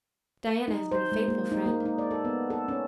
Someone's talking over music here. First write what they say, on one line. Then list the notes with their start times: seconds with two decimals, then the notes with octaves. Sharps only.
Diana has been a faithful friend.
0.68 D#4
0.91 C5
1.12 G#3
1.28 A#3
1.52 D#4
1.66 A#3
1.85 D#4
1.98 D5
2.11 A4
2.25 B3
2.50 A4
2.68 C#4